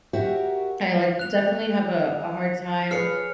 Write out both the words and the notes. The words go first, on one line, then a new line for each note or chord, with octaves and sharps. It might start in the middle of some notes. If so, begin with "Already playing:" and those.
like definitely have a a hard time
F#4 G4 A#4 C#5 E5 F#5
F#6 F7
G#4 B4 C#5 F6 C7 C#7